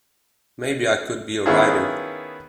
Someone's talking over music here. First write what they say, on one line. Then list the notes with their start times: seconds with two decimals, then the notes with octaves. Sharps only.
Maybe I could be a writer.
1.46 D#3 B3 C#4 E4 F4 G#4